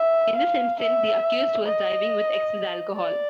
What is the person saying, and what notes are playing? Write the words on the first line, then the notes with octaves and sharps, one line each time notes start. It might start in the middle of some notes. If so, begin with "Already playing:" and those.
In this instance, the accused was driving with excess alcohol.
Already playing: E5
F5
E5
D#5
D5